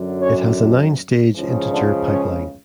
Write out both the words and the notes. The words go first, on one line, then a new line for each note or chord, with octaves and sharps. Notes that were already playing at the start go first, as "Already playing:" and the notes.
It has a nine-stage integer pipeline.
Already playing: F#2 D3 F#3
C#4 C#5
C#2 C#3 F3
D3 D4
C#4